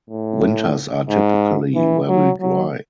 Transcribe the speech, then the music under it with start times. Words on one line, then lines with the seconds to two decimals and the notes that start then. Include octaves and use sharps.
Winters are typically very dry.
0.10 A2
1.10 G#2
1.75 E3
2.08 F#3
2.41 F#3